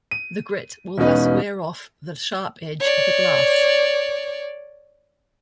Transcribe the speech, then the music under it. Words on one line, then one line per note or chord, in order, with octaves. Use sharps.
The grit will thus wear off the sharp edge of the glass.
D#7
E1 B2 C#4 D#4 B4
C#5 D5